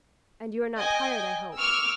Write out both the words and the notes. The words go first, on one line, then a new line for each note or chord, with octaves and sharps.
"And you're not tired, I hope."
D#5 G5 G#5
C#6 D6 E6 F6